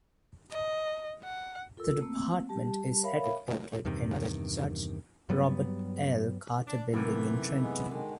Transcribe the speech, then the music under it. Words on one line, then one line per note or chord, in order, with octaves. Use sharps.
The department is headquartered in the Judge Robert L. Carter Building in Trenton.
D#5
F#5
F4 A4 A#4 E6
A3 A#3 C4 E6
G3 G4 A5
A#4 C#5 E5 F5 B5
E2 G2 C3 D#3
G2 F#3 G3 B3
D4
F#2 C3 D#3 E3 A3 A#3
G#3 B3
B2 D3 D#3 G#3